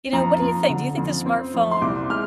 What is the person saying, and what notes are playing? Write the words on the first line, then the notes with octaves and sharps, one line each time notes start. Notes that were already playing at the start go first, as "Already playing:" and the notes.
you know, what do you think? Do you think the smartphone
F2 A#5
F2
D3
F2
C4
F2
C6
C2 D6
G#3 F6